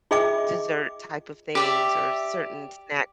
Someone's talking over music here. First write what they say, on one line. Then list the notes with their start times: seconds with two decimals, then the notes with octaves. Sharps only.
dessert type of things or certain snacks.
0.11 F4 G#4 D#5 E5 G5 D6
1.55 G4 D5 E5